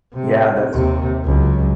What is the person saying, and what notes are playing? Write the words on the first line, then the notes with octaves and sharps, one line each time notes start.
Yeah. That's
C3
D#2 C3
C#2 F#3